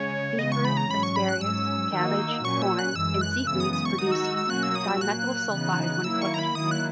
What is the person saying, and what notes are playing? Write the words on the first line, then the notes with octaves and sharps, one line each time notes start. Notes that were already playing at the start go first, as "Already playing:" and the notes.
Beetroot, asparagus, cabbage, corn and seafoods produce dimethyl sulfide when cooked.
Already playing: C#3 G#3 C#4 C#5
C#3 E3 G#3 B3 D#5
C#6
B5
A#5
G#2 F#3 C#4 B5
C#6
B5
F#6
G#2 F#3 C#4 E6
D#3 A#3 D#4 F#4
A#2 F#3 C#4 C#6
E6
F#6
F#2 E3 G#3 E6
F#6
F#2 C#3 E3 G#3 B3 E6
D#6
D#6
C#6
D#3 G#3 D#4 F#4 D#6
E6
E6
E6
B2 F#3 A#3 C#4 F#4 F#6
E6
D#6
E6
A#2 F#3 A#3 F#6
C#3 E3 B3 D#4
D#3 F#3 A#3 E4 E6
C#6
A#5
B5
D#3 F#3 A#3 E4 D#6
F#6